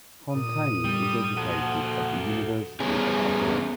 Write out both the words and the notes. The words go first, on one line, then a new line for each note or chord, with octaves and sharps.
Fontaine was educated at the University of Ottawa.
A#2 D#6
F2 G3
F3 A#3 F#4 A4 F#5
G3 B3 C#4 G#4